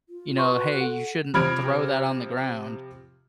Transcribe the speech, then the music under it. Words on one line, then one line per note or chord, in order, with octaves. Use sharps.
you know, "Hey you shouldn't throw that on the ground,
F4
B4 D#5 C6 C#6
F#4
A4 F#5
C3 F3 B5 F6 G#6 D7